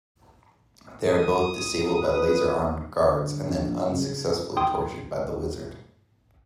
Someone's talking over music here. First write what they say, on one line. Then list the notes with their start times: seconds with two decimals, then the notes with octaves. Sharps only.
They are both disabled by laser-armed guards and then unsuccessfully tortured by the wizard.
1.09 D#6
2.01 B4
3.00 D3
3.51 A#1
3.90 C#3
4.57 G5 C6 D#6